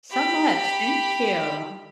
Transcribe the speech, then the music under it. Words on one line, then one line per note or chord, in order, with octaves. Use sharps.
So much. Thank you.
G4 B5